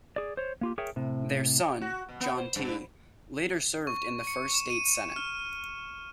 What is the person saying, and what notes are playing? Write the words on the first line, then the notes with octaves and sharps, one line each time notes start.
Their son, John T., later served in the first state Senate.
G#4 D5
C5 C#5
A#3 F4 G4
G#4 A#4 C#5 E5 G5
A2 C3
F#4
B2
B3
C5
G2
C#6
C#7
E7
D#7
F6